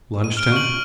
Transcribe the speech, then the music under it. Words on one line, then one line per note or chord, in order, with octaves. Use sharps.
Lunch Temp.
D#7
F6 D7
C#6 F#7